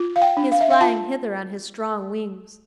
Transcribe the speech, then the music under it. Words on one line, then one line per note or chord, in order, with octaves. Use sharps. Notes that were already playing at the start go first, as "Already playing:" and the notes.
"He is flying hither on his strong wings."
Already playing: F4
F5
G5
D4
F5
E5
F5
F4 A5